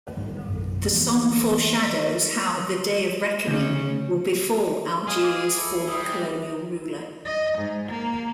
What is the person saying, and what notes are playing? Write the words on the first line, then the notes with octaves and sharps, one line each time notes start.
The song foreshadows how "the day of reckoning" will befall Algeria's former colonial ruler.
G#1 E2 G#2 G3
A#1 F#2
E3 A#3 B3
D2 C#3 C#4
G#4 D#5 F5 G#5
D6
E4 A4
G3 G#4
D4 D6
D#5
G#2
A#3